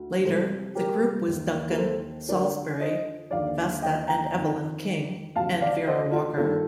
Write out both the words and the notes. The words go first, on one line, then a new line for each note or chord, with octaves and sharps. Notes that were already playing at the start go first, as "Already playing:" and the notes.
Later, the group was Duncan, Saulsberry, Vesta and Evelyn King, and Vera Walker.
Already playing: D2
C2 C3 F3 A4 C5
G4 A#4
D#2 D#3
A#4
A4 C5
F2 D3 F3 A#4 D5
C5 D#5
D#2 D3 F3 D5 F5
D#5 G5
G5 A#5
F2 D#3
D2 C3 F3 F5 A5
D5 F5
C5 D#5
F4 A4
G2 D#3 F4 A4